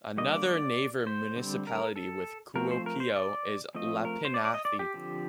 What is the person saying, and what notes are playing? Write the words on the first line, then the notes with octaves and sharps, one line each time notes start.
Another neighbour municipality with Kuopio is Lapinlahti.
D3 G3 A#3 D#5
D5
D5
C5
D3 G3 C4
A#4
A4
F3 A3 C4 A#4
C5
A#4
C5
D5
F3 A3 C4 D#5
A#4
C5
D5
D5
D#5
D5
G4
D3 F3 C4